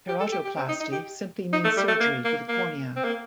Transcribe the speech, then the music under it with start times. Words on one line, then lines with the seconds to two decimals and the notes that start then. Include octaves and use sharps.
Keratoplasty simply means surgery to the cornea.
0.08 G4
0.20 A4
0.32 G4
0.44 G4
0.56 C4
0.68 D#4
0.80 D#4
0.92 G4
1.53 D#4
1.64 A3
1.77 G3
1.88 A3
2.00 A#3
2.25 A#3
2.48 A#3
2.96 C4
3.04 A#3